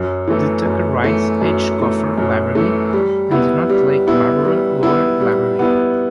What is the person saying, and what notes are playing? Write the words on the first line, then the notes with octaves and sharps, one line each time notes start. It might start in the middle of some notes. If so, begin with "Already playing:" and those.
The Tucker-Reid H. Cofer Library, and the Northlake-Barbara Loar Library.
Already playing: F#2
E3 A3
F#2
E3 A3
F#2
E3 A3
F#2
E3 A3
G3
B3 E4
G3
B3 E4
G3
B3 E4
G3
B3 E4